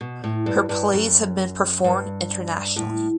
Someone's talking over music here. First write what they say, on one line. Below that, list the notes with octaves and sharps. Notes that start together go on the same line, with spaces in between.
Her plays have been performed internationally.
B2
A2
G2
G2
F#2
G2
A2